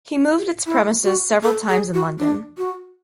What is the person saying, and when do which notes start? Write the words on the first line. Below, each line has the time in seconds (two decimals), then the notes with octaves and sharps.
He moved its premises several times in London.
0.66 E4
1.04 F#4
1.43 A4
1.68 G#4
1.94 F#4
2.19 D4
2.57 F#4